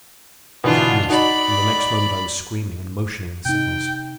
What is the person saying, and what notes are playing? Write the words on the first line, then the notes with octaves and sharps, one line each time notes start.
The shot missed, and the next moment I was screaming and motioning the signals.
B2 D3 E3 D4 F4
D#4 F#4 D5 B5
C3 D#4 G5